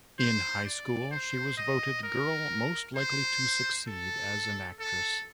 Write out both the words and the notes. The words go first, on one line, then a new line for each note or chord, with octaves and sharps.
In high school she was voted Girl Most Likely to Succeed as an Actress.
C5
D5
C5
D#5
A#4
C5
A4
A4